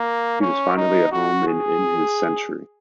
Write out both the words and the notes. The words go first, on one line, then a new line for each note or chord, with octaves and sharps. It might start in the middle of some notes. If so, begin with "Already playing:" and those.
He was finally at home and in his century.
Already playing: A#3
C#4
D#4
F#4
G#4